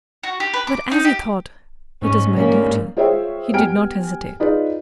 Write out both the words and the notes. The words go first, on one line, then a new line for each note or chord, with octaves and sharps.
But as he thought, "It is my duty," he did not hesitate.
F#4
G4
B4
D6
D#4
G4
G#2 C#4
D3 G3 A#3 C#4
F4 G#4 C5 C#5 E5 G5
G3 B3 G5 G#5 F6 D7
D#4 F4 G#4 B4 D5